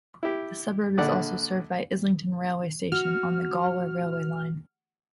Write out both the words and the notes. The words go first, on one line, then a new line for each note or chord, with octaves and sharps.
The suburb is also served by Islington railway station on the Gawler Railway Line.
E4 G4
A#1 D3 D5 F#5
F#4 F6